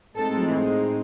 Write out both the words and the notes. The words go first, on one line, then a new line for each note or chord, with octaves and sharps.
you know?
A2 G#3 C4 D#4 A4